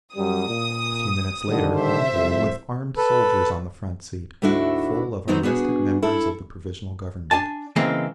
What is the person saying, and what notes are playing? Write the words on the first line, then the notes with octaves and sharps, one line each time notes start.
A few minutes later another, with armed soldiers on the front seat, full of arrested members of the Provisional Government.
F#2 G3 D#6
A#2
D3 D#3 G3
C5 E5
C2 F2
A4 B4
D2 G#2 A3 D4 E4 F#4
D#3 F#3 B3 C4 D#4 C5
B3 D4 F#4 G#4
E4 A4
D4 G#5 A5
C#3 E3 G#3 A#3 C4